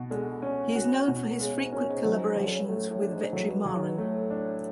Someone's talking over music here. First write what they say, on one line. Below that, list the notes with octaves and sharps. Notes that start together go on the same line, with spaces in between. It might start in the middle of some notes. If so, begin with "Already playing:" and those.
He is known for his frequent collaborations with Vetrimaaran.
Already playing: B2 F#4
D3 G#3
C#4
F#4
B2
C#3 G#3
G#2
F#2 C#4
G#2
F#3
F#3
D3
C#3
B2
A2 A3
A2
D4
G#2
A2 F#3
B2
C#3 F#3
B2
A2 A3
D4